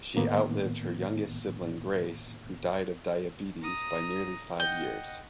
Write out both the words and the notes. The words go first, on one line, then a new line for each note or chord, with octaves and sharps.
She outlived her youngest sibling, Grace, who died of diabetes, by nearly five years.
A2 D#3 A#3 B3
A#5 D#6
D#5 F#5 G5